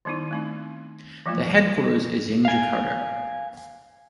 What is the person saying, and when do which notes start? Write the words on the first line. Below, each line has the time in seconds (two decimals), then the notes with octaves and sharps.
The headquarters is in Jakarta.
0.05 D#3 G3 B3 D#4 E4
0.31 A3 C4 D#4
1.26 E3 F3 G3 A3 A#3 F4
2.45 F5 G#5